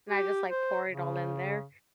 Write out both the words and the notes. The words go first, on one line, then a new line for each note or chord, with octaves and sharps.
and I just, like, pour it all in there,
G4
C5
C#3